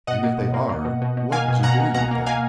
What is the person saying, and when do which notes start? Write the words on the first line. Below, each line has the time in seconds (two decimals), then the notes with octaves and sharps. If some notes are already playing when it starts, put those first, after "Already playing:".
"And if they are, what is he doing with them?"
0.07 B2 D#5 F#5
0.23 A#3
0.38 B2
0.54 A#3
0.69 A#3
0.85 B2
1.02 B2
1.17 B2
1.32 A#3 F5 G#5
1.48 B2
1.63 B2 F#5 A#5
1.79 B2
1.94 B2 F#5 A#5
2.11 A#3
2.26 A#3 F5 G#5